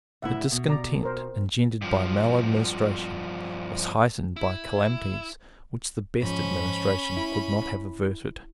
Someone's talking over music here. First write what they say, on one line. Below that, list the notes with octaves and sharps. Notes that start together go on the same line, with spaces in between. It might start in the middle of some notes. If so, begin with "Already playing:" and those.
The discontent engendered by maladministration was heightened by calamities which the best administration could not have averted.
D2 A2 E4 E5 F#5 E6
B2
D5 A#5
A#4 C5
G2 F3
E4
G#2 F3 C#4 B5
E4